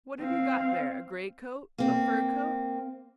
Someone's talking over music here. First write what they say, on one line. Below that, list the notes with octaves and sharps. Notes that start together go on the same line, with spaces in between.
What have you got there, a great-coat, a fur coat?
C4 F5
A#3 C4